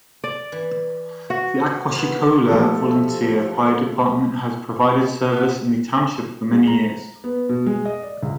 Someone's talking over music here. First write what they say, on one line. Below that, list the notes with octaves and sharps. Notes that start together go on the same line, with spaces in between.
The Aquashicola Volunteer Fire Department has provided service in the township for many years.
D5
E3
F#4
B3 E4 F4
F3 A3 D#4 G4 A4
B3
G#3
A#5
B3
B2
G#3
D#5
D5
C#2